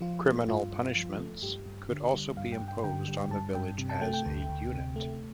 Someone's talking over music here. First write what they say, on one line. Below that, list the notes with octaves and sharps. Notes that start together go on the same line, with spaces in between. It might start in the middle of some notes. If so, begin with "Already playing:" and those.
Criminal punishments could also be imposed on the village as a unit.
F3 F4
A3
G2 F4
G2
F3
A3
G2 G4
G2
D3
G3
G2 F5
G5
G2
G5
D3 G5
G3
G2 A5
G2 G5
C3
A5
A3 G5
G5
D2
D2
C3
A3